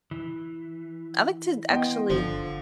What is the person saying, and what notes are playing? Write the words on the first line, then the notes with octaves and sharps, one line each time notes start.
I like to actually
E3
B3 D#5 G5 C6
G1 D3 F3